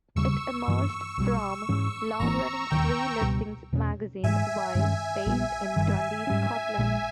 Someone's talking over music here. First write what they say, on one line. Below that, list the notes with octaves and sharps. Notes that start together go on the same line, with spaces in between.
It emerged from long-running free listings magazine "Vibe" based in Dundee, Scotland.
E1 D#2 C#3 G3 C#6 E6
G2 E3 G3 A#3
B1 B2 G3
G#2 E3 G#3 C#4
G#1 G#2 E3 A#3 A#5 C#6
E1 D#2 D#3 G5 A#5
C#2 B2 G3 B3
E2 B2 G3 C#4
G#2 E3 G#3 E5 G#5
G2 D#3 G#3 C#4 E5
A#1 A#2 G3 B3
G1 G2 D#3
G#2 G3 C#4
A#1 A#2 G#3